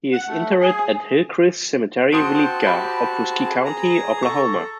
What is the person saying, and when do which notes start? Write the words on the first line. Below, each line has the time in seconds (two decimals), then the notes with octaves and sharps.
He is interred at Hillcrest Cemetery Weleetka, Okfuskee County, Oklahoma.
0.13 F#5
0.28 A3
0.60 G#4
2.13 C4 F#4 A5 C6 D#6 G6 D7
2.67 G4 B5
3.31 G#4
3.65 A#5
4.23 A4 C#6